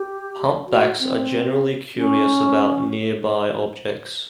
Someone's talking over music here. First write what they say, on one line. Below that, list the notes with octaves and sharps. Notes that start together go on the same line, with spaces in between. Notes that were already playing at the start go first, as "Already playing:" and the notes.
Humpbacks are generally curious about nearby objects.
Already playing: G4
F#4
C4
C#4